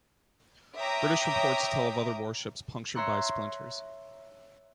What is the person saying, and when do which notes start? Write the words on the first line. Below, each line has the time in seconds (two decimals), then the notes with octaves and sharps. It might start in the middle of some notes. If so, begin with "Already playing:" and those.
British reports tell of other warships punctured by splinters.
0.79 C#5 E5 G5 A#5 D6 D#6
2.95 C#5 E5 A#5 C6 C#6 F#6